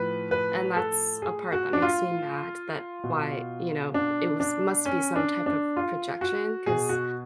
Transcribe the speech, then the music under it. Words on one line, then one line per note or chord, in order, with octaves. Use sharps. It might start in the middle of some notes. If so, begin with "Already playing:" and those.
and that's a part that makes me mad that why, you know, it was must be some type of projection 'cause
Already playing: A2 F3 B4
B4
A4
G#4
F#4
D4
F4
B2
D4
D4
C#4
D4
D4
F4
F#4
B2 G#4
F#4